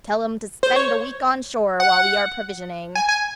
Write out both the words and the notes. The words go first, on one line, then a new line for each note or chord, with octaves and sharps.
Tell them to spend a week on shore while we are provisioning.
C5
C#5
F#5
G#5
G#5